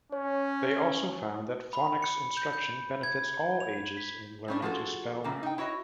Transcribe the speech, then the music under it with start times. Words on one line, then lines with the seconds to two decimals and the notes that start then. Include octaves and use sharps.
They also found that phonics instruction benefits all ages in learning to spell.
0.12 C#4 C#5
1.73 B5
2.02 C#7
2.37 G6
2.53 G6
3.03 G#6
3.60 F7
3.97 B6
4.48 G3 C#4 D4
4.62 F3 F4 F#4 G#4 A4
5.24 A2 C#3 A#3
5.43 D#4 G5
5.58 E4 F#4 C#5 D#5